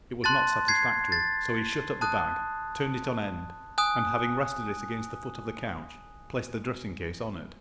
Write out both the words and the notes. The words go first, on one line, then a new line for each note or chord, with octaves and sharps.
It was not satisfactory, so he shut up the bag, turned it on end, and, having rested it against the foot of the couch, placed the dressing-case on it.
A5 C6 F#6 A6
G#6 C7
A6
A5 D#6 F#6
G#5 D#6 F#6